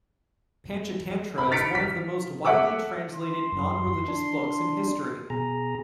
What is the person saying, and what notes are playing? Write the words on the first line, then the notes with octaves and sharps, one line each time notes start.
Panchatantra is one of the most widely translated non-religious books in history.
B5
F6 A6 B6 C#7 D7
B6
A4 E5 F#5 D6 E6
C6
F#2
D4
B2 G#4 A#5